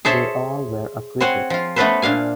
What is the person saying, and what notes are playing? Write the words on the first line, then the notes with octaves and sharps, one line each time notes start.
They all were acquitted.
G#4 A4 C5 C#5 E5 A5
C4 C5 C#5 F#5 G#5
F3 F4
A3 B3 C#4 A4 B4 C5
A#2 D4 F5 G#5